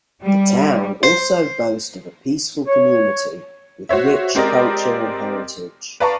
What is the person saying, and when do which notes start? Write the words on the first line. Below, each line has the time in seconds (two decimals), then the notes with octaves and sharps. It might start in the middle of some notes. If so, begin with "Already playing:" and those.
The town also boast of a peaceful community with rich culture and heritage.
0.23 G3
1.03 C5
2.67 C#5
3.89 F#4 C5 C#5 E5
4.35 G#3 C4 G4 A#4 D5 D#5
6.00 B4 D5 F5 A5 A#5 C#6